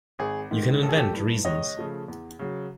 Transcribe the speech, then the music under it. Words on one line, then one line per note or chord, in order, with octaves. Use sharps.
You can invent reasons.
G#1 G#4
G#2 D#3
A1 A4
G#4
G4 A4
G2 E3
C#2 C#5 D#5
C#3 F3 A3
E2
C#3 F#3